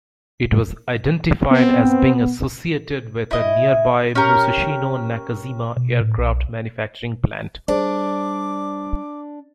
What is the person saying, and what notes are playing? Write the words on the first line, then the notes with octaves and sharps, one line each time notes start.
It was identified as being associated with a nearby Musashino-Nakajima aircraft manufacturing plant.
B3 C4
E4 D#5
C#4 G4 A#4
B2
A2
B1
G3 D4 G#4 C5 D5 D6